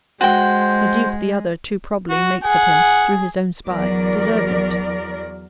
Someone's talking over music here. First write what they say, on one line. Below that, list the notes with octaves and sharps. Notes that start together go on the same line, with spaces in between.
The dupe the other, too probably, makes of him, through his own spy, deserved it.
G#3 F#4 C5 G5
F#4
G#4 F#5
E2 F#3 A#4 D5